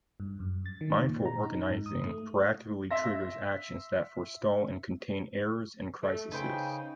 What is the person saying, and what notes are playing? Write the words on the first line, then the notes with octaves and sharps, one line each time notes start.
Mindful organizing proactively triggers actions that forestall and contain errors and crises.
G2
F#2
A6
D#3
A#2
A#5
D#4
G#2
D#6
A3
E5 C6 A#6
A3
C#3 D#4 B4 C5 G5